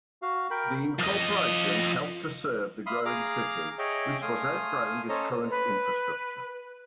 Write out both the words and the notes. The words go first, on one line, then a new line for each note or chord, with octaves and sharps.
The incorporation helped to serve the growing city, which was outgrowing its current infrastructure.
F#4 F5
A#4 G5 B5
F3 D#5
E5 F5 B5 C6 D#6
G#4 F5 A#5 D6
G#4 C#5 D#5 E5 G5
A3 F5 G#5 C6 D#6
C#4 A4 C5 C#5 D#5 A#5
B4